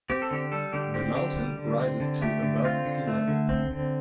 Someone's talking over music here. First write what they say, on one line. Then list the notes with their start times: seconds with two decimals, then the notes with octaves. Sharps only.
The mountain rises to above sea level.
0.10 C4 G4
0.22 A4
0.31 D3 G4
0.52 G3 A4
0.73 D3 G4
0.94 C4 G4
1.15 D3 G4
1.37 G3
1.58 D3
1.80 C4
2.00 D3
2.22 A3 G4
2.43 D3
2.64 C4 F4
2.85 D3
3.07 A3
3.28 D3
3.49 C4
3.71 D3